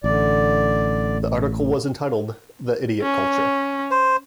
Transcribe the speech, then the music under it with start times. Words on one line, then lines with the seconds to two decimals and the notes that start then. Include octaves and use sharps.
The article was entitled "The Idiot Culture".
0.04 A1 D3 D5
3.02 C#4
3.91 C5